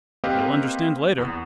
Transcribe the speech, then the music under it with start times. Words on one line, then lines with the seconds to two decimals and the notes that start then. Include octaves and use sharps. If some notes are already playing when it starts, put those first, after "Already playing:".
You'll understand later....
0.24 A#3 C4 G4 B4 D#5 F5
1.18 E2 B3